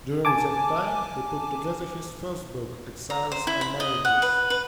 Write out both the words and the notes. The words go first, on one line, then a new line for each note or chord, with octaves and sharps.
During that time, he put together his first book, "Exiles and Marriages".
G#5 A5 D6
A#5
C5
E4
B5
D#5
F#5
B4
B4